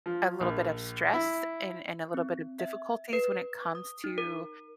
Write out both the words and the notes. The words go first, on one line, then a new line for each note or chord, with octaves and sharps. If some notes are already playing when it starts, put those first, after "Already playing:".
a little bit of stress and and a little bit of difficulties when it comes to,
F3
A#1
E4
C4
E5
B4
D#6
D#4
A#4